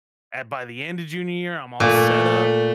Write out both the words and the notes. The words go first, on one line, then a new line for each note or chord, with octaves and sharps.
At by the end of junior year, I'm all set up.
A#2 A3